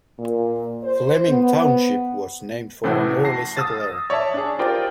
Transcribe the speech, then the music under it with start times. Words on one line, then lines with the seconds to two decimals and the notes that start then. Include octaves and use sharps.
Fleming Township was named for an early settler.
0.19 A#2
0.83 C5
1.28 B3
2.84 A2 C3 E3 C4 F#4 A4
3.25 A5 A#6 C7
3.57 D#6 E6 A6
4.10 C#5 D5 E5 A5
4.34 D4 G#4
4.59 F4 G4 A#4 C5 D5 G5